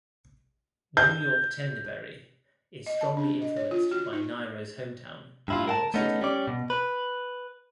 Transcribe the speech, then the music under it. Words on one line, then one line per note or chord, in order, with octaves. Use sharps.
"New York Tendaberry" is strongly influenced by Nyro's hometown, New York City.
G6
D#5
A5
D4
D#5
C#5
F4
F#4
D#4
G2 E4 F4
A#4 F#5 A5
A3 B3 C#4 D#4
G3 C#4 D5
B2
B4